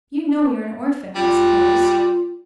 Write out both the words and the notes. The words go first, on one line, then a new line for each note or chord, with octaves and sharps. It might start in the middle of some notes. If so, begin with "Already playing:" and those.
You know you're an orphan, I suppose?'
G3 F4